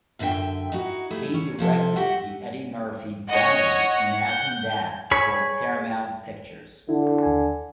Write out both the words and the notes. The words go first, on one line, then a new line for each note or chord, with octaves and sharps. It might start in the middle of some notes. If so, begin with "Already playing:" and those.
He directed the Eddie Murphy dramedy "Imagine That" for Paramount Pictures.
F#2 D3 D#4 A4 E5 G5
D#4 E4 F#4
G3 A3 E4 G#4
C#4
C3 F3 A4 E5
F#4 G4 E5 F#5
C#5 D#5 F#5
G6
G#4 C#5 B5
D3 E4
D#2 G#5